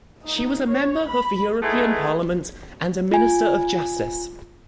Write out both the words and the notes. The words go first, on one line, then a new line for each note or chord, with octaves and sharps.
She was a member of the European Parliament and a Minister of Justice.
D#4
C#5
B5
G#3 A3 B3 D#4 E4 B4
F4 G#5